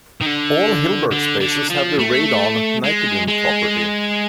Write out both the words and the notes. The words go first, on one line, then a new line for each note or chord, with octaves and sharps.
All Hilbert spaces have the Radon-Nikodym property.
D#3
D3
D3
D3
F3
A3
G#3
G#3